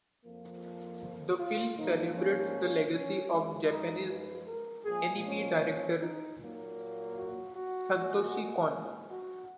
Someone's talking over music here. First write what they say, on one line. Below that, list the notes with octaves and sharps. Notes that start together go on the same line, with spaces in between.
The film celebrates the legacy of Japanese anime director Satoshi Kon.
F2 F3 A#3
F4
G#2 F3 A#3 D#4
C#4
C#4
F#2 F3 G#3
D#4
B4
A#4
A#2 F3 G#3 G#4
C#4
D#4
A#2 F#3 A#3
F#4
F#4
A#2 G#3
F#4